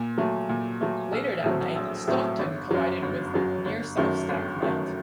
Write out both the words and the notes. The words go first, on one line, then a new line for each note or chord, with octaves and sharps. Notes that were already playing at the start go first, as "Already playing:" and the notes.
Later that night, "Stockton" collided with near South Stack Light.
Already playing: A#2
F#3 A3
A#2
F#3 A3
A#1
A2 F#3 A3 C4
A#1
A2 F#3 A3 C4
G1
F#2 F#3
G1
F#2 F#3
G1
F#2 D#3 F#3 A3
G1
F#2 D#3 F#3 A3